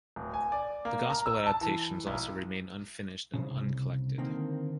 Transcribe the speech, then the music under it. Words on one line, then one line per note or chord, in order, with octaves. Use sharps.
The Gospel adaptations also remain unfinished and uncollected.
D1
G#5
D5
A#3
A#5
E6
A5
E3
B1
C2 G#2 C#3
D3 D#3 A#3 C4